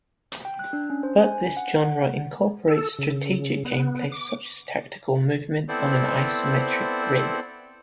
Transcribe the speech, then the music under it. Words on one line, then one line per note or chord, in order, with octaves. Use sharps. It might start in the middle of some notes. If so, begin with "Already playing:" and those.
But this genre incorporates strategic gameplay such as tactical movement on an isometric grid.
G5
F#6
D4
C#4
C5
G#5
F#5
F#5
A4
C#3
B3
D6
B3 C4 E4 A4 C5 D5